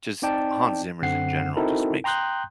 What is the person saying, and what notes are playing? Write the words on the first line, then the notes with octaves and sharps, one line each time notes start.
just Hans Zimmer's in general just makes
C4 D#4 D5 G5 A5
F#2 D3 C4 F#5 C7
C4 D#4 E4 F#4 A4 A#4
G5 A#5 C6 D#6 F#6 G6